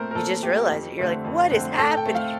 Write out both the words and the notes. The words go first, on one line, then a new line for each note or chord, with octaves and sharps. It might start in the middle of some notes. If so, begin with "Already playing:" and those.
You just realize it, you're like, "What is happening?!"
Already playing: A#2 A3 C4 A#4 C5
A#4
A#2 A4
A3 C4 G4
F2
D3 A3 C4
F2
D3 A3 C4
A2 A4
G5
A3 C4
F5